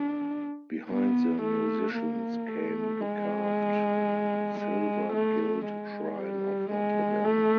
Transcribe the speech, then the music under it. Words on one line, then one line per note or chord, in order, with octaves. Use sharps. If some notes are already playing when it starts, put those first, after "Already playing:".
Behind the musicians came the carved silver-gilt shrine of Notre Dame.
Already playing: D4
B3
A3
A#3
A3
G#3
G#3
A3
G#3
G3
G#3
A3